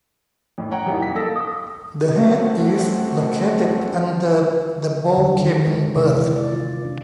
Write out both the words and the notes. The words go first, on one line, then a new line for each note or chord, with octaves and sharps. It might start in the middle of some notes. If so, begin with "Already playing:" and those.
The head is located under the bow cabin berth.
F2 A2
C#5 F#5 G5 A#5
F2 G3 A#3 D#4 E4
F2 B6
A#3 A4 E6 A#6
A3 C4 C#4 F#4
D3
D#3
G#3
C3
E3
D5
F4
D4